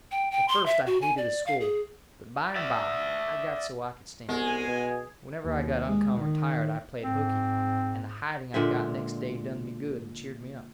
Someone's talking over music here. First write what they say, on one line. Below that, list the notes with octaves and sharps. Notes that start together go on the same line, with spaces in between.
At first I hated the school, but by and by I got so I could stand it. Whenever I got uncommon tired I played hookey, and the hiding I got next day done me good and cheered me up.
G5
G5
C6
E5
F#4
G#5
D5
F5
G#4
D5 E5
C2 G#3 B3
G#5
B2
D#2
G#3
D#3
G#2 C4
A#2 D3 G#3 E5